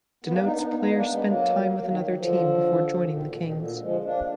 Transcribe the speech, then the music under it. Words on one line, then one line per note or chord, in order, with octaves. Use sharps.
Denotes player spent time with another team before joining the Kings.
B3
A#3 D4
B3 D#4
B3 D#4
B3 D#4
B3 D#4
A#3 D4
G#3 B3
F#3 A#3
F#3 A#3
D#3 F#3
D#3 F#3
D3 F3
B2 D#3
A#2 D3
B2 D#3
A#2 D3
F3 G#3
A#3 D4